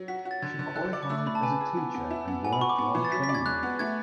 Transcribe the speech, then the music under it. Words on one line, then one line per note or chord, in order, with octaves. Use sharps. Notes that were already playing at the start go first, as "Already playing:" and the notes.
She qualified as a teacher and worked while training.
Already playing: F#3
F#4 B6
B6
F#4
A6
D3 G#6
D3
A4 F#6
D5
D6
A3 E6
D6
A3 B5
A5
B4 G#5
G#4
B3
B3
E4
B3
F#4 G#5
B5
F#4 C#6
D6
B3
E3
A6
F#3 B6
B6
D5
G#6
G#3 F#6
B3
A3 G#6